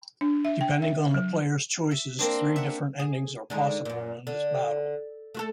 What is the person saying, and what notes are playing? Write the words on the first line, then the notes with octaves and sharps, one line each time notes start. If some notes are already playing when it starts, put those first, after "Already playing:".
Depending on the player's choices, three different endings are possible in this battle.
D4
E5
G5
E5
F#3
E5
A#3 C4 D4
E5 F#5
G#4
D3 G#3 D#4
F#2 A#2
D3
A3 F#4 A4